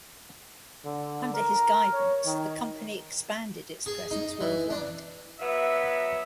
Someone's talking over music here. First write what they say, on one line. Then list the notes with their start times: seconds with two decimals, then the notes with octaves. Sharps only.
Under his guidance, the company expanded its presence worldwide.
0.85 D3
1.34 A#4
1.93 C#5
2.26 D#3
3.86 G#4
4.11 D#4
4.41 E3
4.70 D4
5.40 F#3 B3 E5